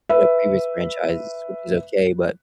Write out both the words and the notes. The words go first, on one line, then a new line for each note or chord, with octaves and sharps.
you know, previous franchises, which is okay, but,
B4 E5